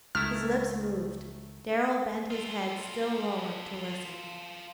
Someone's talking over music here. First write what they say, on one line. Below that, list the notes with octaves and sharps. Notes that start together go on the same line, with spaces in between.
His lips moved; Darrell bent his head still lower to listen.
C#2 D#3 A3 E4 F6
F4 A4